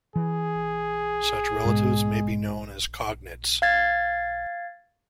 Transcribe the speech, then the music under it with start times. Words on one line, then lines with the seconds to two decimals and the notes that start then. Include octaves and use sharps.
Such relatives may be known as cognates.
0.16 E3 G#4
1.65 G#2 B2 G#3
3.62 F5 G#6 A6